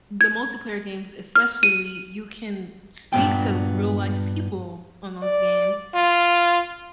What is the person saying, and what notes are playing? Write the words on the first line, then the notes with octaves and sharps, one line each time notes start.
the multiplayer games, especially, you can speak to real life people on those games,
G#6
F6
D#7
G2 A#2 E3 G#3 B3 G5
D5
F4